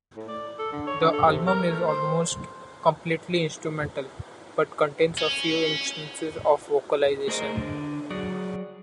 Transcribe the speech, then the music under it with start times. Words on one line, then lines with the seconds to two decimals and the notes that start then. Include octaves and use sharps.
The album is almost completely instrumental, but contains a few instances of vocalization.
0.16 A2
0.28 D5
0.59 A4
0.72 D3
0.87 C#5
1.01 D3
1.13 A4
1.26 C3
1.47 A#4
1.70 A3
1.87 C5
5.18 C#4
7.28 A3 G#4 A#4 C5 C#5 D#5
7.56 D3
8.10 F#3 F#4 G#4 D5